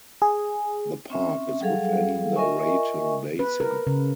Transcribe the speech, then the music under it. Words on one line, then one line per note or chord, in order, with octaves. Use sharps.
The park is within the Raton Basin.
G#4
C4 C#4 E5
F#3 G3 G#4 A4 F5 F#5
F4 A#4 D#5 E5 G#5 C#6
B4
A#4
C#3